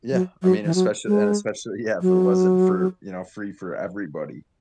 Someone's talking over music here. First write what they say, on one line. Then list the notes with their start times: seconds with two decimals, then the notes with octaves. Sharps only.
Yeah, I mean, especially and especially yeah, if it wasn't for you know, free for everybody.
0.12 F#3
0.42 F#3
0.64 E3
0.75 F#3
1.07 G#3
2.01 F#3